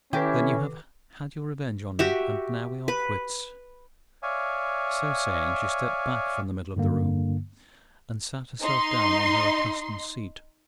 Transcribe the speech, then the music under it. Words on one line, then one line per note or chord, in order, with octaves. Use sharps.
"Then you have had your revenge on me, and now we are quits." So saying, she stepped back from the middle of the room, and sat herself down on her accustomed seat.
D#3 C#4 E4 G4 A4 B4
F#4 G4 E5
B4
C#5 D5 E5 F5 G#5
G2 D3 A#3
D#4 C6